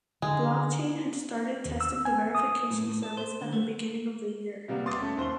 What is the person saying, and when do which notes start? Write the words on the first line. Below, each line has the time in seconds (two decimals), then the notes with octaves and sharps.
Blockchain had started testing the verification service at the beginning of the year.
0.22 D3 G#3
1.65 D#2
1.81 E6
2.05 G#5
2.35 D#6
2.70 A2
2.88 A2
3.03 A4
3.17 C5
3.41 D3
3.53 A3
4.68 C3 G3 A#3 B3
4.86 C6 D6 D#6 A6
4.98 A3 C#4
5.17 D#2 C5 C6 G7